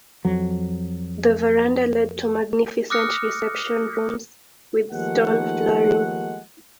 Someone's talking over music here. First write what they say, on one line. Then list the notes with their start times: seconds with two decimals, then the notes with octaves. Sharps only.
The veranda led to magnificent reception rooms with stone flooring.
0.25 F2 F#3
2.90 D6 D#6 F6 F#6 A#6 C#7
4.91 D#2 F3 G#3 A3 D#4 F#5